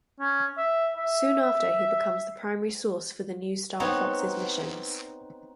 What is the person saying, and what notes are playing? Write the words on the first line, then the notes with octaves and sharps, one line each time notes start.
Soon after, he becomes the primary source for the new Star Fox's missions.
C#4
E5
E5
B3 C4 D#4 C#5